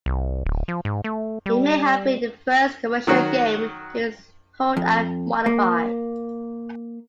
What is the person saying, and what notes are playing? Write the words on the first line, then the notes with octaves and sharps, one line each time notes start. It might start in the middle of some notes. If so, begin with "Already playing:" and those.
It may have been the first commercial game to use Hold-And-Modify.
C2
D1
F3
G#2
A3
G3
D#3 F#3 F#4
F2
A#3